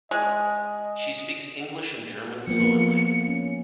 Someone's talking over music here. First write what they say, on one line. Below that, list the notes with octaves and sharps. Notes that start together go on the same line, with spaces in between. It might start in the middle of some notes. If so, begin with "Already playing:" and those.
She speaks English and German fluently.
G#3 D#5
F3 A#3 B3 C#7
C#4